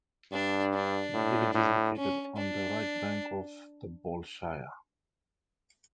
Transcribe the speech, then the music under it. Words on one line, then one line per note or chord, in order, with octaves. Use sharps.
The village is located on the right bank of the Bolshaya.
G2 D4
D4
A2
A2
C#4
D4